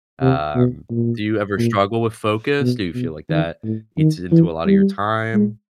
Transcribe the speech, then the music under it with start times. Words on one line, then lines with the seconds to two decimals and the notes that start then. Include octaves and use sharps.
um, do you ever struggle with focus? Do you feel like that eats into a lot of your time?
0.21 C3
0.55 B2
0.90 A#2
1.58 A#2
2.61 B2
2.94 B2
3.29 D#3
3.64 A2
3.98 D#3
4.32 E3
4.66 G3
5.34 G#3